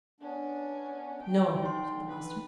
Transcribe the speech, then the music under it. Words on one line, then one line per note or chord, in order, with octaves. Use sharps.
"No!" said the master.
B3 C#4 D4
G5
D3 D#4 C6
B4